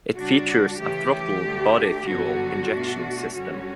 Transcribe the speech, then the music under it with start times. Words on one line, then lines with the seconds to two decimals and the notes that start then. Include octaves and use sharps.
It features a throttle body fuel injection system.
0.16 C#3 G3 D4 F#4
0.79 C#3 E3 A3 G4
1.43 D2 D3 A3
2.08 G2 D3 F#3 B3 F#4
2.71 B2 A3 D4
3.35 F#2 D3 G3 C#4 F#4